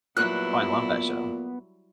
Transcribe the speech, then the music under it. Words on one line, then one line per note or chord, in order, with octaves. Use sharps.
Oh, I love that show.
A#2 F#3 G3 B3 E4 F#6